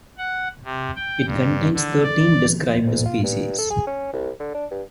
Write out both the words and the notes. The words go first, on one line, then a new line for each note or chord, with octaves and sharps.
It contains thirteen described species.
F#5
C3
G5
G2
D3
D5
D2
F4
G2
A4
G#4
C#4
C2
D3
D4
G2